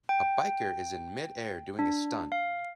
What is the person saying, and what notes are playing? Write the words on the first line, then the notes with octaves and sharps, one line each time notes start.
A biker is in midair doing a stunt.
G5
D4
F5